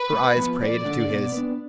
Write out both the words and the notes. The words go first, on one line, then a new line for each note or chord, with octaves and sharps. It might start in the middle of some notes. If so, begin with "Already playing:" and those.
Her eyes prayed to his.
Already playing: B4
A2
F3 B3
F2 D5
D3 A3
B2
B3 D4